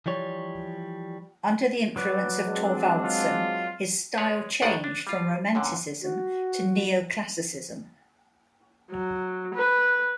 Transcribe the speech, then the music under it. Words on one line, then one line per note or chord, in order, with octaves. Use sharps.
Under the influence of Thorvaldsen, his style changed from romanticism to neo-classicism.
E3 F3 G3 C#5
F#3 B4 D5
G#3 C4 D4
F4
G#3 G#4 B4 C#5 D5
B1 A2 D#3 D4 D5 F#5
D4
G3 F4
F#2 A#2 D3
F#4
F#3
B4